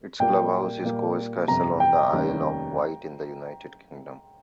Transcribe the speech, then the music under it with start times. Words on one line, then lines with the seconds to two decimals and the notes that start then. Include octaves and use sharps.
Its clubhouse is Cowes Castle on the Isle of Wight in the United Kingdom.
0.20 A#1 A#2 G3 A#3 G5
0.84 A#2 G3 A#3
1.48 G1 F2 C3 A#5
1.80 G5
2.12 F1 D#2 D#3 G3 C#4